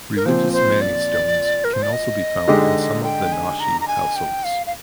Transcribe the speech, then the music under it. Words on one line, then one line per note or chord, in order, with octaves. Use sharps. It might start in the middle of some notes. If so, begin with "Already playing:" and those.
Religious Mani stones can also be found in some of the Nashi households.
A#4
A#2 F3 C4 C5
C5
D5
A#4
C5
D5
D#5
D3 G#3 D#4 G4
G5
G#5
A#5
A#5
G#5
G5
F5
F5